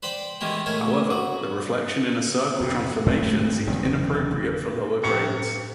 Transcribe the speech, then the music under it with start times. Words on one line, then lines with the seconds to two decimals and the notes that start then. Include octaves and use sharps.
However, the reflection in a circle transformation seems inappropriate for lower grades.
0.03 B4 C5 D5 G5
0.41 D#3 E3 G#3 A#3 G4
0.66 C#3 A3 A#4 C#5
1.11 F#4
2.61 F2 C3
3.06 G#2 A3 C4
3.67 F#1 E2 C3 D#3
5.04 A2 C3 F3 C#7